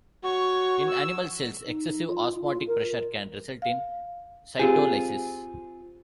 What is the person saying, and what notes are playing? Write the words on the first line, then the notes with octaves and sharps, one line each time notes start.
In animal cells excessive osmotic pressure can result in cytolysis.
F#4 C#5 C#6
E6
D#4
F4
F4
A#4
F5
C4 F4 G4 G#4